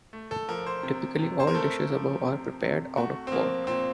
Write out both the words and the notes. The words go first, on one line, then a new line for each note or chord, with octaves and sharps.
Typically all dishes above are prepared out of pork.
A3
A4
F3 A#4
C5
C3
C3
C5
A#4
A3 A4
F3
C3
C3
A3 F#4
C4
F3 A#3
A#2 C4